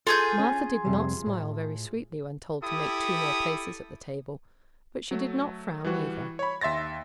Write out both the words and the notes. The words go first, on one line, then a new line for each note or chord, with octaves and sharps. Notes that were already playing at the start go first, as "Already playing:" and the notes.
Martha did not smile very sweetly when told to make two more places at the table, but she did not frown either.
F4 G#4 A4 G6
C#4 G#5
F2 C3 G3
A2
E4 G4 A4 D#6
F#3 A3
E3 G3 F#4
C#5 B5
D#2 E5 C6 A6 A#6